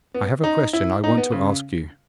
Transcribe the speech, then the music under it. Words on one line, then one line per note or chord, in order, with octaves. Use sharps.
'I have a question I want to ask you.'
B3
D#4
E4
D#4
B3
C#3